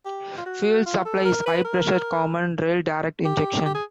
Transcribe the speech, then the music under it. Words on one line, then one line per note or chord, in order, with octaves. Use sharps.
Fuel supply is high-pressure common rail direct injection.
G4
F4
F#4
F4
A4
A#4
B4
A#4
G4
G4
G#4